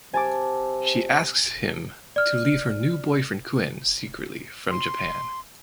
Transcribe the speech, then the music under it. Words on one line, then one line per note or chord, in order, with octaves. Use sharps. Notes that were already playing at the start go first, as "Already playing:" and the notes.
She asks him to leave her new boyfriend Kuen secretly from Japan.
C3 G#5 A5 D6
D5 F6
C6